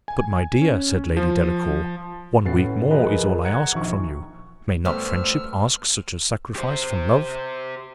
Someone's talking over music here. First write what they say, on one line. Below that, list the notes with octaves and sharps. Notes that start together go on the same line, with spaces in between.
"But, my dear," said Lady Delacour, "one week more is all I ask from you--may not friendship ask such a sacrifice from love?"
G#5
C#4
F3
A2 C#4 F#4 B4 A6 C7
F3 G#4 A#4 B4 D#5
F#5 A#5 F#6 G#6 C#7
A#1 F3 D#4 C#6
F#2 G3 A3 B3 C5 E6 F6
G4 C5